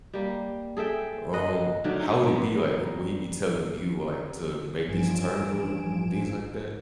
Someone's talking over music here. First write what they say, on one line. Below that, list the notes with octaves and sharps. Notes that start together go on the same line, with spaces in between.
Um, how would it be like? Eh, will he be telling you to, like to make this turn or things like that?
G3 A#3
G#4 A4 E5 G5
D#5 F#5
D3 D#3 F#3 A3
G2 F3 G3 B3 A#4 C5
A1 G2 F3 G#5 D7 E7